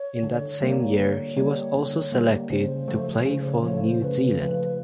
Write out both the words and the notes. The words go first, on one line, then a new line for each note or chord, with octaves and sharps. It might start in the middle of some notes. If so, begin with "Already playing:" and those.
In that same year he was also selected to play for New Zealand.
Already playing: C#5
D3
G3 A#3
D3 C#5
G3 A#3
D3
G3 A#3
C#3 C5
F3 A3
C#3 C5
C#5
F3 A3 C#5
C5
C#3 B4
F3 A3 B4